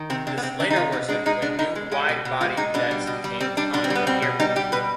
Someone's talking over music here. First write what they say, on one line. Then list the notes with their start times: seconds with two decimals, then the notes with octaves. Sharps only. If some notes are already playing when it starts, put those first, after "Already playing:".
This later worsened when new wide-body jets became common at the airport.
Already playing: D#3
0.10 C3 C4
0.27 C3 D4
0.38 B3
0.43 C3 C4
0.60 D#3 D4
0.70 D#4
0.76 C3 F4
0.92 B2 D#4
1.09 G#3 D4
1.26 G#3 D#4
1.42 B2 D4
1.59 B2 D#4
1.75 G#3
1.92 G#3 G4
2.09 B2
2.25 B2
2.41 G#3 F4
2.57 G#3 D#4
2.74 B2 D4
2.91 G3
3.07 B2
3.24 G3
3.40 G3 C4
3.57 G3 D4
3.73 B2 D4
3.84 C4
3.90 G3
3.95 B3
4.07 B2 C4
4.22 B2
4.40 G3 D#4
4.56 G3 G4
4.72 B2 B4